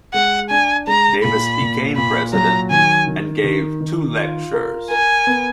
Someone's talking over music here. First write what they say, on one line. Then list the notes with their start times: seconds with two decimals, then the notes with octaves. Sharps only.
Davis became president and gave two lectures.
0.14 G#3 F#5
0.51 D4 G#5
0.87 G#3 A#5
1.24 A#2 B5
1.61 A#2
1.97 A#2 B5
2.33 F#3 A#5
2.71 D#3 G#5
3.07 D#3
3.44 D#3
3.80 D#3
4.17 F4
4.53 A#4
4.90 A#4 G#5
5.27 B3